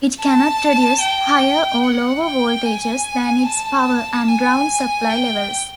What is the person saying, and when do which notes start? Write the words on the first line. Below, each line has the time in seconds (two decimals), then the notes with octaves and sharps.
It cannot produce higher or lower voltages than its power and ground supply levels.
0.20 A5
1.01 G5
1.84 F#5
2.24 G5
2.65 G#5
3.47 A5
4.28 G#5
5.10 G5